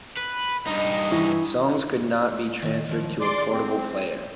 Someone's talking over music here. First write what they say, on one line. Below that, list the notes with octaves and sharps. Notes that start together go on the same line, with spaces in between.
Songs could not be transferred to a portable player.
B4
G2 D#4 D#5
E3 E4 C#6
A#2 D#3
D#3 F3
G#4 D5 C6 D6
C4